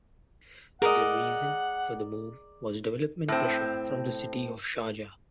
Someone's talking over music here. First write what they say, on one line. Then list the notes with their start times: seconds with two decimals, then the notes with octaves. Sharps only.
The reason for the move was development pressure from the city of Sharjah.
0.82 G#4 A#4 D5 D#5 F#5
3.28 A2 C4